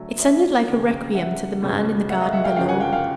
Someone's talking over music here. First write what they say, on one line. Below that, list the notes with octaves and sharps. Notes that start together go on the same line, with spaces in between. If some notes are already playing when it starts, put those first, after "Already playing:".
It sounded like a requiem to the man in the garden below.
Already playing: D2 D3 F#3 A3
D5 E5
F1 D#2 C#3
E5 F#5
C#2 B2 G#3 C#4
E5 F#5
D#5 F5
E5 F#5
F5 G5
G1 F#2 C#3 F3 F5 G5
F#5 G#5
F5 G5
F5 G5